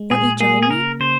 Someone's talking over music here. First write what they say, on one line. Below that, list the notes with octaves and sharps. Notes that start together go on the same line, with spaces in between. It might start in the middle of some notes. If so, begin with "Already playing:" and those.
Won't you join me?
Already playing: G#3
A#2 G#4
A#3 G#4
G#4
C#3 A#4
C#3 C5